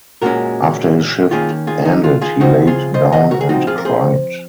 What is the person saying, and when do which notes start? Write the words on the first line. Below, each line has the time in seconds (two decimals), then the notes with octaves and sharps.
After his shift ended he laid down and cried.
0.22 A#2 G#3 C#4 F#4 A#4
1.31 D#3 A#3 C#4 F4 G#4
1.67 F4 G#4
1.85 D#4
2.04 F4
2.21 F4 G#4
2.40 C#3 F3 C4 D#4 F#4
2.67 F4 G#4
2.94 C5 D#5
3.12 D#5 F#5
3.31 F#4 A#4
3.41 G#4
3.49 F3 C4 D#4 F#4
3.67 F4 G#4
3.78 A#4
3.85 G#4 C5